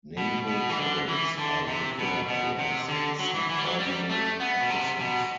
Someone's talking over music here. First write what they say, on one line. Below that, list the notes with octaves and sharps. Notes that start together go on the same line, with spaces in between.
Naval cadets are referred to as subordinate officers.
B2
B2
E3
D3
E3
D3
C3
B2
B2
C3
D3
F#3
E3
E3
G3
F#3
G3
A3
B3
B2
C3
B2